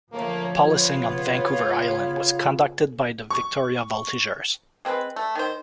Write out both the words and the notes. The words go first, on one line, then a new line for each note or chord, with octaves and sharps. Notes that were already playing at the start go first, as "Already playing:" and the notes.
Policing on Vancouver Island was conducted by the Victoria Voltigeurs.
D3 F3 A3 A#3 C#5
B3 F4
C#3
C#3
C#6
G#3 C4 A4 B4
A3
D#3 E4 C5